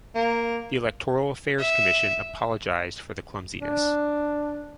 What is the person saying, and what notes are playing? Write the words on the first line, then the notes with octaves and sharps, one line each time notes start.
The Electoral Affairs Commission apologised for the clumsiness.
A#3
E5
D4